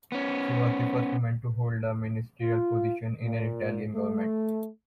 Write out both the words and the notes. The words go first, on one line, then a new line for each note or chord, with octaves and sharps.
She was the first woman to hold a ministerial position in an Italian government.
B3 C#4
F4
A#2
A3